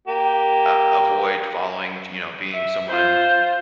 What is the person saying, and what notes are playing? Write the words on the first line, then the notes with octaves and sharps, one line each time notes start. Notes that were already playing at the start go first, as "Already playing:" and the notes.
uh, avoid following, t you know, being someone,
A#3 G4
E5
F4 C5